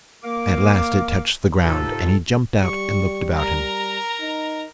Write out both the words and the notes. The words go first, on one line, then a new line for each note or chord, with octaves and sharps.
At last it touched the ground and he jumped out and looked about him.
A#3 A#4 F5 D6
G#2 C3 D#4 F4 A4
G3 C#6
A#4 A#5
D#4